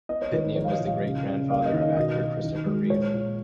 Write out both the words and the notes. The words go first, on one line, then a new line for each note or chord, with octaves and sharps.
Pitney was the great-grandfather of actor Christopher Reeve.
B3 D#5
C#5
D#3 B4
B4
F3 C#5
F5
D#5
A#2
F5
C#3
C#3
A#3 F5
D#5
D#3
D#5
B2 D#5
B2
D#3
G#3
A#2 C#5
A#2